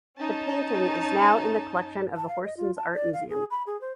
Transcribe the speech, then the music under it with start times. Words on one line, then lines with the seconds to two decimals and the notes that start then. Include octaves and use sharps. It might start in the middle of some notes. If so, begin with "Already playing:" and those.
The painting is now in the collection of the Horsens Art Museum.
0.19 C#4 D#4 A5
2.17 A5
2.28 F5
2.45 D#5
2.57 F4
2.77 A5
2.94 D5
3.13 F5
3.29 G#4
3.51 B5
3.67 G#4
3.81 C5